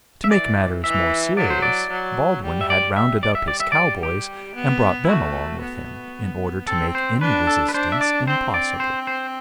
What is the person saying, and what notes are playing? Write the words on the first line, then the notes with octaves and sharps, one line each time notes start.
To make matters more serious, Baldwin had rounded up his cowboys and brought them along with him, in order to make any resistance impossible.
E5
E3 D5
E3 E5
F#3 D5
C5
D5
F#3
G3
E5
D5
G3 E5
D5
E5
D5
E5
D5
G4
B3
E4
A3 F#4
B3
C4 A4
C5
D4 B4
A4
B4
D4 C5
E5
D5
C4 C5
D5
C5
C5